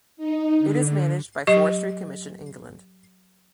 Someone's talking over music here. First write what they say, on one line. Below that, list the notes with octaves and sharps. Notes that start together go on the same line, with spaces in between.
It is managed by Forestry Commission England.
D#4
D3
F#3 G4 D#5 C#6